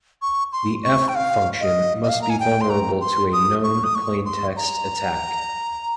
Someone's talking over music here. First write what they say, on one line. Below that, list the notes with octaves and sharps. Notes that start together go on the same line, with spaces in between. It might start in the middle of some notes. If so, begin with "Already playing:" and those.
The "F" function must be vulnerable to a known-plaintext attack.
C#6
C6
C#6
G5
F5
D#5
D#5
F5
A#5
G#5
G5
C6
A#5
C6
D#6
C#6
D#6
C#6
C6
A#5